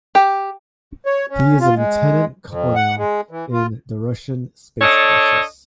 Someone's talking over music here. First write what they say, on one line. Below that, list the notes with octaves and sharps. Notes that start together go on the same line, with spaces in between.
He is a lieutenant colonel in the Russian Space Forces.
G4
C#5
C#4
F4
G#3
F2
F#5
G#3
E3
F4
D4 A4 C#5 D#5